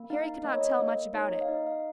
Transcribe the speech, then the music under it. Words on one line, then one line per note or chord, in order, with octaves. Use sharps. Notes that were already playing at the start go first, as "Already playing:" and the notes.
Harry could not tell much about it.
Already playing: A#3
D#4 F5
A#3 D#5
C#5
D#5
A#3
D#4 C#5
D#5
F5
D#4 D#5
F5